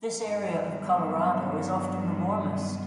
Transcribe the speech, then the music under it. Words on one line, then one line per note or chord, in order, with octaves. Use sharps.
This area of Colorado is often the warmest.
G2 D#3 F#3 B3 D4